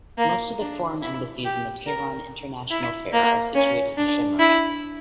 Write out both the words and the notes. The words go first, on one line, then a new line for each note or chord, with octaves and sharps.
Most of the foreign embassies and the Tehran International Fair are situated in Shemiran.
A#3
D4
E4
G4
A#4
E4
A#3
C#4
D4
E4